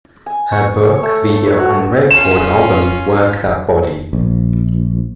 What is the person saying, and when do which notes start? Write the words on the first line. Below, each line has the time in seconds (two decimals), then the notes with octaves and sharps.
Her book, video and record album Work That Body!
0.26 G#5
0.52 C#6
0.88 C#5
1.03 A3
1.30 A5
1.47 C#5
1.60 F#4
2.11 C#4 F4 E7
4.13 A#1